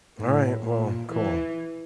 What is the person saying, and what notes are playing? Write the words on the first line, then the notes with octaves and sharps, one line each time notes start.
All right, well, cool.
A2
A#2
E3